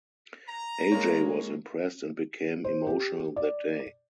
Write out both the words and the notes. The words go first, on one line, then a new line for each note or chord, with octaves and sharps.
Aj was Impressed and became emotional that day.
A#5
G#3 A#3 C#5
C5
G4
D5